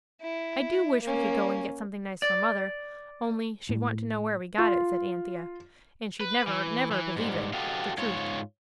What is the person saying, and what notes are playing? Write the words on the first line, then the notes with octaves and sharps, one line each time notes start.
'I do wish we could go and get something nice for mother, only she'd want to know where we got it,' said Anthea. 'And she'd never, never believe it, the truth.
E4
A#3 C#4
D5
A2
F4
B4
E3
E3
G#2 G3
F#4 G4 A4 D#5 F5
G#2 F4 C#5